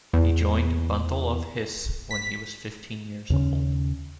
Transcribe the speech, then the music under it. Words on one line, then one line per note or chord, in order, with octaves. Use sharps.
He joined Bundle of Hiss when he was fifteen years old.
E2
B6
D#2 C#3 C#4